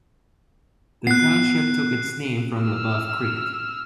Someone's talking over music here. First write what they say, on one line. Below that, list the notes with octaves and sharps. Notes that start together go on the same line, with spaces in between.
The township took its name from LeBoeuf Creek.
B3 F#6 C7
E6 F6